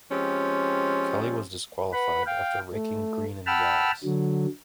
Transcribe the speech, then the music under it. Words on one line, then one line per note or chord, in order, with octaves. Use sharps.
Kelly was disqualified after raking Green in the eyes.
F3 G#3 C4 C#4 G4
B4 F#5 B5
F5 G5
A3
F#5 G5 A5 B5 E6 F6
D3 F#3